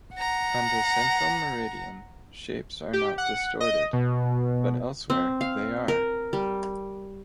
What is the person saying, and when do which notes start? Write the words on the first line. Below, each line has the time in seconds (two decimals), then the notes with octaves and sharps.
On the central meridian, shapes are not distorted, but elsewhere they are.
0.15 F#5 A#5
2.93 G4
3.18 F#5
3.60 D#5
3.93 B2
5.10 C4
5.41 F5
5.88 A#4
6.33 G3